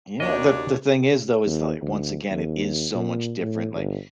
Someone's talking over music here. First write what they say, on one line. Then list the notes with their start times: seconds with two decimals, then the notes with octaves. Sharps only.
Yeah. The the thing is, though, is that, once again, it is so much different. Like,
0.20 D#2 C#4 D4 F#4 C#5 D#5
1.46 D#2
1.82 D2
2.30 D#2
2.94 A#2
3.41 A2
3.75 G1